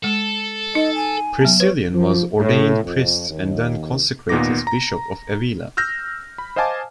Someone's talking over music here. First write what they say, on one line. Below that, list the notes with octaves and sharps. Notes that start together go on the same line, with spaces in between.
Priscillian was ordained priest and then consecrated bishop of Avila.
G#3 A4
D#4 D#5
G#5
F#3 B3
B4 C#5
F3
A2
F2
D#2
D#2 A#2 B3 D#4 D6 A#6
A#5
E6 F6 G6 A#6
B5
C5 D#5 F5 G#5 A5 D6